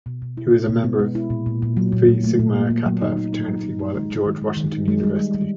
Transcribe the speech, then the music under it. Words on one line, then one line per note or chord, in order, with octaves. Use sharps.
He was a member of Phi Sigma Kappa fraternity while at George Washington University.
B2
B2
E4
B3
B2
B3
G#3
E4
A#2
A#2
A#2
F#3
A#2
A#2
A3
A#2
A#3
A#3
F#3
D#4
D#4
D#4
F#3
D#4
D#4
G#3
G#3
D#3
G#3
D#3
D#4
G#3
G3
G3
G3